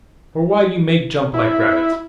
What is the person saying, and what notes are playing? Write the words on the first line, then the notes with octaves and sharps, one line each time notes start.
For why you make jumps like rabbits!
E4